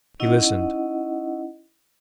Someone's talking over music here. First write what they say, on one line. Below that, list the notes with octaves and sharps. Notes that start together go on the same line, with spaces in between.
He listened.
C#4 D#4 E4 D#5 F#5